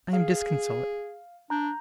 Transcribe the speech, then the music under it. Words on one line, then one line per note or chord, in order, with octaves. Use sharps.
I am disconsolate.
G#4 F5
D4 A#5 G6